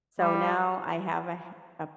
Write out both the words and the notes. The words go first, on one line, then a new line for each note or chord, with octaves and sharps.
So, now I have a h a
G3